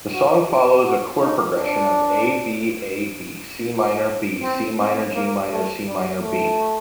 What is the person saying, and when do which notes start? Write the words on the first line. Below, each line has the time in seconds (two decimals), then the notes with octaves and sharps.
The song follows a chord progression of A-B-A-B-Cm-B-Cm-Gm-Cm-B.
0.13 F#4
0.48 G4
0.85 F#4
1.21 D#4
1.56 D4
4.43 C4
4.79 C4
5.15 A#3
5.51 A3
5.87 G3
6.22 A3